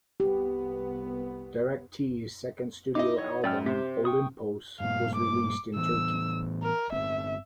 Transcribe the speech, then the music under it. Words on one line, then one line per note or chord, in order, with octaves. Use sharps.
Direc-t's second studio album "Olympos" was released in Turkey.
C2 B3 G4
D#4 E4 D#5 D6
C#5
F#2 D5 G5 F6
C3 G4 C5
G5 C#6 D#6
G2 A#2 F5
D6
A2 E3 B3 E6
A#4
G1 C4 E5